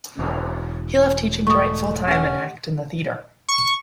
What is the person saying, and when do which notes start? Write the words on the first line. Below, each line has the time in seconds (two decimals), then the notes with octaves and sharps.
He left teaching to write full-time and act in the theatre.
0.19 E1
1.47 G#2 A3 C#6 D#6
2.08 C#4 G4 F#5
3.49 C#6